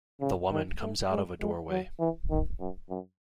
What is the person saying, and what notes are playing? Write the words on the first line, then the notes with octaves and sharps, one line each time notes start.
The woman comes out of a doorway.
C#3
D#3
A3
G#3
G#3
F#3
E3
D#3
F#2
F#2